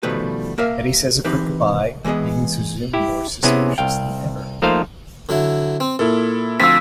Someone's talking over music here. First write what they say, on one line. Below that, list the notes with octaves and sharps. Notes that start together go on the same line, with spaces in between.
Betty says a quick goodbye, leaving Susan more suspicious than ever.
B2 D#3 F3 G3 A3 B4
A#3 A#4 E5 F5
E3 C4 D#4 G4 B4
E3 G#3 B3 G#4 D#5
E4 G4
C3 B3 C#4 E4 G#4
C2 F5 G5
F3 A3 A#3 D#4 C5 F5
D3 F#3 E4
C4
A#2 E4 A4
D2 F3 C4 F5 E6 B6